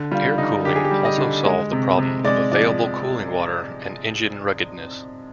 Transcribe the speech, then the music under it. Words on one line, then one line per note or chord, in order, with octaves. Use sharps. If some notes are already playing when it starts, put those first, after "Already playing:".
Air cooling also solved the problem of available cooling water and engine ruggedness.
Already playing: D3
G3 F4
D3 D#4
D3 G4
G#4
G4
G3
D#5
D3
G#3
C3
C3
G#3 D5
F3 D5